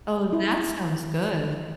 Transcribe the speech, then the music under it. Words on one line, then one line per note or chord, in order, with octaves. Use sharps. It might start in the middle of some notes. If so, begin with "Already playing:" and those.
Oh, that sounds good.
E4